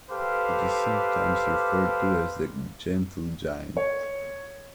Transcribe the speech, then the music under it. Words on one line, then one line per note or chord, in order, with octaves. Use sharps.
It is sometimes referred to as the "Gentle Giant".
G4 A4 B4 C5 F5 D6
C#5